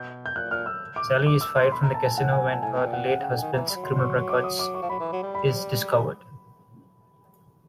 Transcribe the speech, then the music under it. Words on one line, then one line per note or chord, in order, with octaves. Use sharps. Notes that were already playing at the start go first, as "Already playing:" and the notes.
Sally is fired from the casino when her late husband's criminal record is discovered.
Already playing: B2 G6
G6
A#2 F#6
A#2 F6
E6
D6
D6
E6
C6
B2 B5
A#5
A5
G#5
A#2
A2 F#5
A#2 G#5
C3
A5
A#2
A2 G#5
B2 G5
A#2
F#5
C3 F#5
C#3 G5
D3
G#5
D#3
E3 A#5
G3 B5
F#3
C6
C#6
C#6
D6
D#6
D6
C#6
F3
F#3 B5
E3
F#3
G3
B5